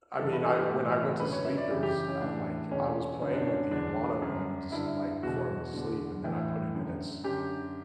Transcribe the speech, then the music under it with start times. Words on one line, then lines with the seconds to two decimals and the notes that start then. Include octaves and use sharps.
I mean, I when I went to sleep, it was, uh, like I was playing with the iguana when I went to s like, before I went to sleep, and then I put it in its
0.19 G2 E3 A4
0.33 B4
0.44 A4
0.57 G4
0.70 A2 E3
1.20 F#2 D3 B4
1.32 C#5
1.45 E5
1.57 D5
1.70 F#2 C#3 E3 G4
1.83 G4
2.08 C#4
2.20 A2 E3 D4
2.71 E2 B2 C#4
3.22 F#2 D3 C#4
3.33 D4
3.47 C#4
3.71 E2 D3 D4
4.22 F#2 D3
4.72 G2 D3 E4
5.23 E2 B2 F#4
5.74 E2 D3
6.24 A2 E3
6.74 F#2 D3
7.24 F#2 D3 G4